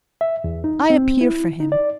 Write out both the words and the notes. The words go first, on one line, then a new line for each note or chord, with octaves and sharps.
I appear for him.
E5
E2
D#4
C4
E4
D#4
D5